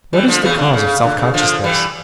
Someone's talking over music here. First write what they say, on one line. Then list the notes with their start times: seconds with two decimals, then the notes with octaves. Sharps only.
What is the cause of self-consciousness?
0.13 E3 G3
0.28 D3 F3
0.43 C#3 E3
0.58 D3
0.73 C#3
1.03 D3
1.19 C#3
1.34 D3 F3
1.64 E3 G3